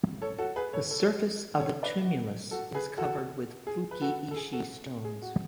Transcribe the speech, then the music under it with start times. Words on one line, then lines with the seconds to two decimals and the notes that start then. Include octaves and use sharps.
The surface of the tumulus is covered with "fukiishi" stones.
0.22 A4 C#5
0.38 F#4 A4
0.56 G#4 B4
0.73 A4 C#5
0.91 A4 C#5
1.60 A4 C#5
1.83 B4 D5
2.05 F#4
2.51 F#4 A4
2.74 G#4 B4
2.98 F#4 A4
3.67 G#4
3.91 B4
4.01 F#4 A4
4.31 A4
4.36 G#4
4.52 F#4 A4
5.04 G#4
5.22 F#4